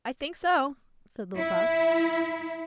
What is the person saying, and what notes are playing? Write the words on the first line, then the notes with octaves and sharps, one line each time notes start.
I think so,' said Little Klaus.
E4